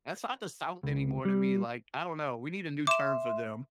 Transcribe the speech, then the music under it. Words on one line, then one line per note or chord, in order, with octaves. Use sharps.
That's not the South anymore to me. Like, I don't know. We need a new term for them.
C#2
G3
E5 C6 D6 E7